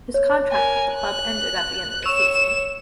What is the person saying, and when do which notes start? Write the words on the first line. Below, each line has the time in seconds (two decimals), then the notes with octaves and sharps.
His contract with club ended at the end of season.
0.14 C#5
0.52 A#4 G#5
0.94 F#6
2.05 C#5 C#6 E6 E7 F7